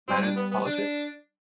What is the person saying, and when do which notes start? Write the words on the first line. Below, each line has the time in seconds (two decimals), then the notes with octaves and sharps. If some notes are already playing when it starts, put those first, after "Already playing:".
Matters of politics?
0.08 G3 C4
0.23 D4
0.37 B3
0.51 B3
0.66 D4